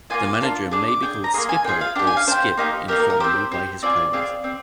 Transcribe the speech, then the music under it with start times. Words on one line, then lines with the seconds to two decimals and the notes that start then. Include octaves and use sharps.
The manager may be called "skipper" or "skip" informally by his players.
0.10 A#3 D4 F4 G#5
0.25 D6
0.41 A#3 D4 F4
0.71 D4 G#4 D6
0.88 D6
1.03 D4 G#4 G5
1.24 A#5
1.34 A#3 F4 G#4 C6
1.49 G#5
1.64 A#3 F4 G#4 G5
1.81 F5
1.96 D4 G5
1.99 G4
2.07 G#5
2.17 F5
2.27 D4 G4 C5
2.57 A#3 D#4 G4
2.88 A#3 D#4 G4 A#4
2.99 A#4
3.10 A#4
3.20 C4 G4 C5
3.51 C4 G4
3.83 C4 F4 G#4 D5
4.13 C4 F4 G#4
4.44 C4